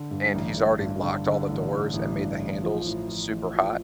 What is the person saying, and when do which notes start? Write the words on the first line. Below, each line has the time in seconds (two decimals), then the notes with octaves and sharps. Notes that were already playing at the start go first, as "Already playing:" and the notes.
and he's already locked all the doors and made the handles super hot,
Already playing: D3
0.11 G2
0.34 A1
0.57 A1
0.79 G2
1.02 D3
1.26 D3
1.49 A1
1.72 A1
1.93 A1
2.17 G2
2.39 A1
2.63 F3
2.85 A2
3.08 F3
3.31 A1
3.54 F3